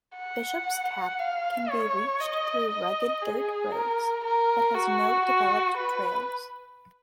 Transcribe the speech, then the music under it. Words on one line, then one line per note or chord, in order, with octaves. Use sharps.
Bishop's Cap can be reached through rugged dirt roads, but has no developed trails.
F#5
F5
C#5
D#5
D#5
G#4
A#4
A#4
F#4
F#4
B4